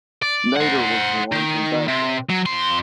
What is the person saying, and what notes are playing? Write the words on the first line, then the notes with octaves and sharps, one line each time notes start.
Nader was born in Baghdad.
D5
C5 F#5
D#3
C3
F#3
F2 C6